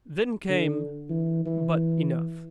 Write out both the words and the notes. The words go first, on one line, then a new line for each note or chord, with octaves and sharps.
Then came--But enough!
D3
E3
E3